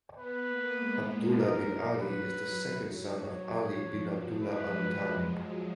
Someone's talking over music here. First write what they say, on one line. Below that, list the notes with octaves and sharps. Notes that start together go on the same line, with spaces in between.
Abdullah bin Ali is the second son of Ali bin Abdullah Al Thani.
B3 B4
A#3
G#3
F#3 A#4
F#3
F#3 B4
F#3
C#5
F3
F#3
G#3 B4